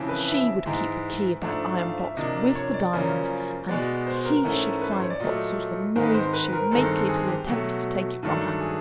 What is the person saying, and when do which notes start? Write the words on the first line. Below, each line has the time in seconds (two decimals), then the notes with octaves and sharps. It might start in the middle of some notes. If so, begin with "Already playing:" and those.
And she would keep the key of that iron box with the diamonds, and he should find what sort of a noise she would make if he attempted to take it from her.
Already playing: F2 C#3 E3
0.09 B4
0.28 E5
0.66 G#2 E3 G#3
1.42 G#2 F3 A3 D4
1.79 F5
1.98 E5
2.17 C3 F3 A#3 D4 D#5
2.36 D5
2.55 C#5
2.74 D5
2.93 F#2 C#3 F3 A#3 C#4
3.68 B2 G#3 B3 D5
4.06 C5
4.25 A#4
4.43 G#2 E3 A3 C#4 A#4
4.81 B4
4.91 C5
5.00 C#5
5.10 D5
5.20 A#2 F#3 A3 D#5
5.96 G#2 D#3 G#3 C4
6.03 B4
6.14 C5
6.33 B4
6.53 A#4
6.71 G2 D#3 G#3 C4 A4
7.09 G#4
7.27 G4
7.47 B2 F#3 A3 F#4
8.23 G2 D#3 F#3 A3 D4
8.60 G#4